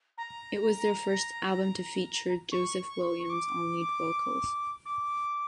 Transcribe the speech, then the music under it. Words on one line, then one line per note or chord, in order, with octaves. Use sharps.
It was their first album to feature Joseph Williams on lead vocals.
A#5
C#6
C#6
D6
D6